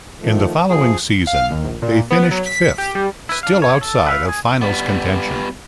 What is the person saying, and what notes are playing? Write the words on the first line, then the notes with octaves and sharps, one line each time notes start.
In the following season, they finished fifth, still outside of finals contention.
D#3 F3 A3
C3 F3 A#3 G#4
F5
D#2
A#1
A#2
B3
F#3
B6
G4
G3
E4 B4
D4 F5
C#3 C#5
A4
B4 E5 F5
G#4 G#5
G3 B3